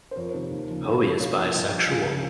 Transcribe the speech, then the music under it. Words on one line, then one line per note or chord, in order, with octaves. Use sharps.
Hoey is bisexual.
C5
F2 A#4 C#5
C3 D#3
D#2
C#3 F3
G2 C#5 F5
F3
C2 C#5 F5
A#2 F3
G2 D#5 G5
F3
C#2 F5 G#5
C#3 F3